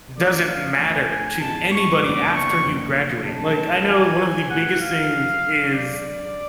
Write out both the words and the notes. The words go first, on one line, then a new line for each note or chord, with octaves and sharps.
doesn't matter to anybody after you graduate. Like, I know one of the biggest things is
F2 F3 A3 D4 D5
F5
D2 D3 F3 G#5
G#2 G#3 B3 A5
C#6
F#1 F2 F3 B3 D4 D6
C#6
F#1 F2 D3
B1 A2 G#3 C#4 A5
F2 F3 G#3 G#5
A1 A2 F3 G#3 F#5
F5
F#2 F3 G#3
F#2 D3 G#3 D4 D5